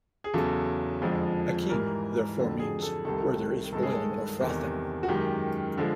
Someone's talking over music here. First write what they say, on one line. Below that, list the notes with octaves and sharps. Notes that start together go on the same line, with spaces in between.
Akean therefore means "where there is boiling or frothing".
G#4
E2 C#3 F#3 A4
F2 D3 F3 G#3
G#2 E3 G3 A#4
F2 D3 F#3
G#4
A4
C2 C3 D#3 A4
G2 D#3 G#3 A4
G#4
A4
E2 C3 D#3 G3
F#4
F#2 D#3 G#3 G4
D3 F3 G#3